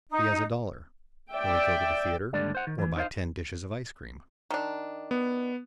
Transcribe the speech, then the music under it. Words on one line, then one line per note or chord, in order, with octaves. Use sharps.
He has a dollar; will he go to the theater or buy ten dishes of ice-cream?
D#4
D5 E5 G5
D#2 G#2 D3 G3 D4 D5
C5 F#5
D#3
E3
D#4 C5 C#5 F5
D#3 D4
B3